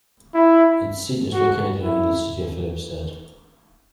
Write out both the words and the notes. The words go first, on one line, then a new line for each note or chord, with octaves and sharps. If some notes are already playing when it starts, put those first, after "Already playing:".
Its seat is located in the city of Filipstad.
E4
F#4
E4